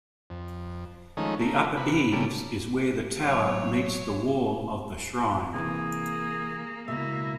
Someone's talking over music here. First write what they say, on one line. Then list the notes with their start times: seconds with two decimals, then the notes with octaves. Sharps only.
The upper eaves is where the tower meets the wall of the shrine.
0.30 F2
1.17 D#3 F3 G#3 A3 C#4 D#4
1.40 A3 A#4
1.77 C3 B4 B5
2.12 C#3 G3 A3 A#3
3.23 A1 F#3 C#5
5.54 C3 D#3 E3 A#3 G#4
6.88 C#2 F#2 B2 A#3 E4 E5